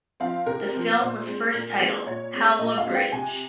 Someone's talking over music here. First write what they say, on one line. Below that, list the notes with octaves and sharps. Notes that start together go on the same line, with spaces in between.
The film was first titled "Howrah Bridge".
F3 C4 F5
C3 A#4
F3 C4
A#2 C5
G#3 C4
A#2 A#4
G#3 C4 C5
A#2 C#5
G#3 C4
A#2 D#5
F5
G#3 C4
G5
C3 G#5